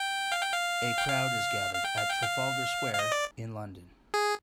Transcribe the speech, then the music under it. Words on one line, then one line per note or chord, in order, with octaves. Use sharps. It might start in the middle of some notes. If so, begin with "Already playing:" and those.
A crowd is gathered at Trafalgar Square in London.
Already playing: G5
F5
G5
F5
G5
F5
F5
G5
F5
G5
F5
F5
D#5
D5
G#4